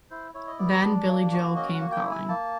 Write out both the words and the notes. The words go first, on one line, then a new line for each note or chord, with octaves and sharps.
Then Billy Joel came calling.
E4 C5
E4 C#5
D#5
B3 D5
D4 D5
A#3
F#4
C#4 D#5
F#5
A#3
G5
E4
G#5
A#3 A5